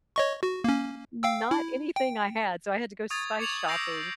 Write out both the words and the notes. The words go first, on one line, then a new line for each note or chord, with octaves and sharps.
not anything I had, so I had to go spice shopping,
C#5 D#5 C#6
F#4
A#3 C#4
F5 G5 E6
E4
G5
C#6 D#6 G#6 A6
D6 G#6 C#7 F7 F#7
E6 G6 A#6 C7 D7